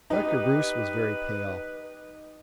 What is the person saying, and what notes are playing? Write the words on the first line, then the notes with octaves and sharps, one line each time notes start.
Dr. Bruce was very pale.
D#4 G4 B4